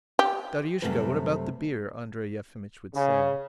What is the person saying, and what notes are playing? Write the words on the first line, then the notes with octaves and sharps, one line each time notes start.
"Daryushka, what about the beer?" Andrey Yefimitch would say.
G4
F#2 C3 G3 A3 B4
C#3